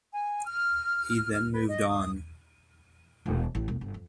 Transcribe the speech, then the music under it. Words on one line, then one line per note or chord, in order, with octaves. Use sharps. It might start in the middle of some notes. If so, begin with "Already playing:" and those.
He then moved on.
G#5
F6
F6
B4
D#5
D#6
E1
A1
E1
G1
F2